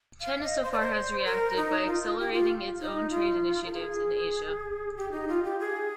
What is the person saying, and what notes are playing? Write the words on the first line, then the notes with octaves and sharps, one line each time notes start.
China so far has reacted by accelerating its own trade initiatives in Asia.
F5
D#5
C5
D5
C5
A#4
D#4
F4
F4
G4
F4
D#4
F4
A#4
G#4
G4
D#4
F4
G4
G#4